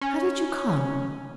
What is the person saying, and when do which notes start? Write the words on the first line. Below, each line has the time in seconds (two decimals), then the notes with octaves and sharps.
How did you come?
0.01 C#4